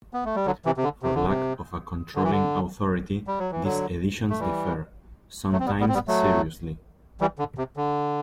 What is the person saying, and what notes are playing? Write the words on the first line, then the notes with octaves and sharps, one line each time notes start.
For lack of a controlling authority, these editions differ, sometimes seriously.
B3
A3
G3
D3 F#3
C3 E3
C3
D3
C3
D3
C3
D3
E3
D3
G3
F#3
E3
D3 F#3
A3
E3 G3
F#3 A3
C4
G3 B3
G3 B3
C4
G3 B3
F#3 A3
E3 G3
D3
C3
D3